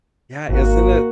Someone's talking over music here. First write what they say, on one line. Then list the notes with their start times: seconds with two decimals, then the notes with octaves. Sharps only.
Yeah, isn't it?
0.49 G#1 A#3 F#4